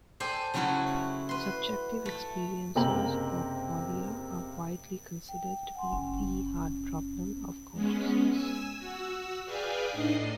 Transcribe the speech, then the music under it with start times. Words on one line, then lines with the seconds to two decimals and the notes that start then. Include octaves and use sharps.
Subjective experiences or qualia are widely considered to be "the" hard problem of consciousness.
0.20 A4 C5 D5 G5 G#5
0.54 C#3 F#3 A3 C#4 E4 F#4
1.29 B4 C6
2.06 A3
2.75 F#1 C3 A#3 G5 A#5 F#7
5.29 G5
5.75 F#5 G#5 C6
5.93 F#1 C#4
7.73 G#3 B3 C#4
8.30 G#5 E6
8.77 F#4 E6
9.45 G#4 B4 D5 F5 G5 G#5
9.90 A2 D4 D#4 D#5 C7